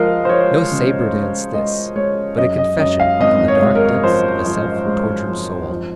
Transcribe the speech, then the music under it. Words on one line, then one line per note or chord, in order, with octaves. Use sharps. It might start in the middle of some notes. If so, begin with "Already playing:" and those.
No "sabre dance" this, but a confession from the dark depths of a self-tortured soul.
Already playing: F3 G#3 A#4 D#5 F5
C5
F3 C#5
C#3
G#3
G#3 D#5
G#3 C#5
F#2 D#5
D#5
F#2 D#5
F5
G#1 D#5
C#5
G#3
A#4
F3 C5
F3
G#3
F3
F3